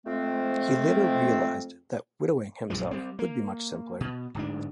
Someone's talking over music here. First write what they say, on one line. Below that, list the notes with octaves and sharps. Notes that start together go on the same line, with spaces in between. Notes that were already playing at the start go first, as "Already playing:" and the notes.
He later realized that widowing himself would be much simpler.
F2 F3 G#3 A3 C4
A#1 F#2 F3 G#3
G3 C4
A#3
B2
D1 G#2 D4